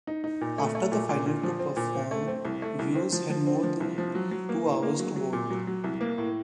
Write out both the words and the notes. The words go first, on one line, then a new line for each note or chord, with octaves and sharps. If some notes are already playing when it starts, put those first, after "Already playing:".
After the final two perform, viewers had more than two hours to vote.
D#4
D#4
A#2
A3
A3
A#2
A#2
A#2
F3
C4
A#2
C4
A3
C4
C2
A3
C2
C4
F3
F3
C4
F3
C2
F3
F#3
F#3
A#3
A2
A#3
F#3
F#3
A#2
F#3
F#3
C2
A#3
A2